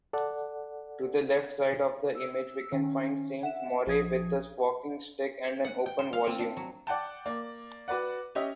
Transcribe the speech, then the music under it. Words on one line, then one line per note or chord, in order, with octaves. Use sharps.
To the left side of the image we can find Saint Maure with a walking stick and an open volume.
A4 D5 F#5
E6
D#3 C#4
E5 F#5 E7
A#1 F3 D#6 G#6
F#5
G5
C5
F5
C4
D4
F#3
D5 F#5 G5 A5
A#3 D5
F#4 B4 D5 F#5
C#4 G4 D#5 E5